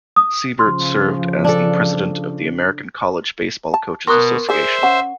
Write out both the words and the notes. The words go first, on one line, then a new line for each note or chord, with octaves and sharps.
Siebert served as the president of the American College Baseball Coaches Association.
D#6
C#3 F3 C6 F6
D4 A4
A5
B2 A#4 A#5 C6 C#6 D#6 F#6
G#4 C5 D5 E5
C#4 F#5